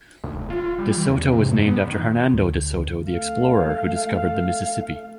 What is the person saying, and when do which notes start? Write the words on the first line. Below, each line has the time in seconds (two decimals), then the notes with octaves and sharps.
De Soto was named after Hernando De Soto the explorer who discovered the Mississippi.
0.24 D2
0.35 E1
0.50 F4
0.78 G3
0.97 E3
1.09 E2
1.32 C3
1.51 G2
1.67 B3
1.85 D#3
2.33 D2
3.06 A3 F5